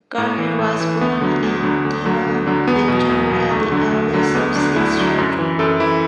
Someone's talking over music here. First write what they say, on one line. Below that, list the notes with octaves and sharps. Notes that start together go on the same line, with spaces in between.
Garner was born in Geelong, Victoria, the eldest of six children.
A2
E3
A2
E3
D2 B3
D3 F#3
D2
D3 F#3
D2
D3 F#3
D2
D3 F#3
E2 B3
B2
F#3
E2
B2 F#3
D2 A3
D3 F#3
D2
D3 F#3
D2 B3
D3 F#3 D4
D2 E4
D3 F#3
F#2
E3
F#2 A4
E3 E4